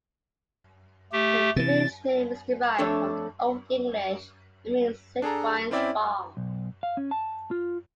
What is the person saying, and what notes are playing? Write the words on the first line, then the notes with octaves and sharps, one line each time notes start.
The village name is derived from Old English, and means 'Sigewine's farm'.
A3 G4
C3 E3 A6
F2 A3 D4 A4 C#5
D4 G#4 A4 A#5
C4 C#4 E4 D5 E5 G5
B1
F5
C#4
A5
F4